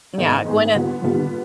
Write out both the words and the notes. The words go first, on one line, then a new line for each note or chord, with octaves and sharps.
Yeah, Gwyneth. Mm-mm.
G#2 D#3 B3 D#4 G#4
G#2 D#3 B3 D#4 G#4
D3 G3 B3 F4
D3 G3 B3 F4